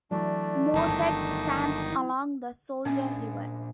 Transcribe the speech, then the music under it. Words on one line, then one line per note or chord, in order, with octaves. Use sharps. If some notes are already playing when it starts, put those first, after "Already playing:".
Moorhead stands along the Soldier River.
E3 F#3 A3 D4 D5
G1 D#3 D#4 A5
E4
A#2 C#4 D4 G#5